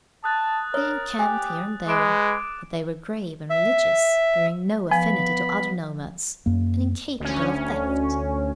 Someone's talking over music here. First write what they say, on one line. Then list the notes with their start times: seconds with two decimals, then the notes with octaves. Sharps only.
They encamped here and there, but they were grave and religious, bearing no affinity to other nomads, and incapable of theft.
0.24 A5 D#6 F#6 A6
0.74 A#4 C#5 D#6
1.19 G4 G#5
1.88 G#3 B4 D6 D7 E7
3.50 E5
4.91 F3 B3 G#5 B5
6.46 F#2 A#3
7.20 D2 C#4